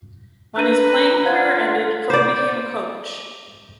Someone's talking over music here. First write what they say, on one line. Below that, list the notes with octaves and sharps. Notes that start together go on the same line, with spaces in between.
When his playing career ended, Crow became a coach.
D4 B4 A#5 F#6 D#7
F4 C5 F5 F#5 G#6
C5 D5